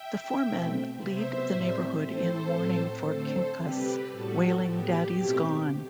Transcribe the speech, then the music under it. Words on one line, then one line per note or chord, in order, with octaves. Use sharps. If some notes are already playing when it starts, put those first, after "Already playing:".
The four men lead the neighborhood in mourning for Quincas, wailing Daddy's gone!
Already playing: E5 G5
B2 A3 C4
C3 F#3 B3 C5 E5
A2 G3 C4
E3 A3 C4 A4 C5
A2 F#3 A3 C4
D3 A3 C4 A4 C5
C3 G3 C4 G4 B4
A2 G3 B3 F#4 A4
A2 F#3 B3 G4
B2 F#3 A3 C4